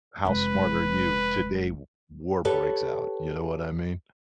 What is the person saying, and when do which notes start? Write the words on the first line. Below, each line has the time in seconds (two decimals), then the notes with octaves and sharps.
how smart are you? Today, w war breaks out, you know what I mean?
0.25 F1 G#3 B4
2.45 G4 A4 B4 C#5